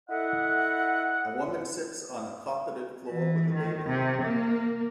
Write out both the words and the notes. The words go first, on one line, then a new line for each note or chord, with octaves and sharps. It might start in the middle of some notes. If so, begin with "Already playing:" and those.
A woman sits on a carpeted floor with a baby.
E4 A4 D#5 E5 F#5
E3
D#3
C3
A#3